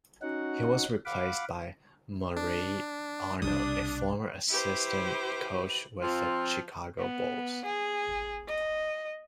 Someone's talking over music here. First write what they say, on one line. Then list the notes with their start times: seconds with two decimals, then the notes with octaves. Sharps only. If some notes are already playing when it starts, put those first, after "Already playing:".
He was replaced by Murray Arnold, a former assistant coach with the Chicago Bulls.
0.22 C#4 D#4 F#4 F#5
1.05 F5 F#5 B5 D6
2.37 D4
3.42 B1 C3 G3 D4 D#6
4.49 E4 G4 B4 C5
6.02 F3 C4 F4
6.99 B3
7.65 G#4
8.48 D#5